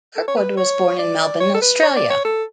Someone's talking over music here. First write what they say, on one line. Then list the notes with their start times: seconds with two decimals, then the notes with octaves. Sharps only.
Kirkwood was born in Melbourne, Australia.
0.16 A4
0.28 C#5
0.37 B4
0.57 C#5
0.99 D5
1.40 C#5
1.55 A4
1.62 B4
1.83 C#5
1.97 D5
2.10 C#5
2.25 A4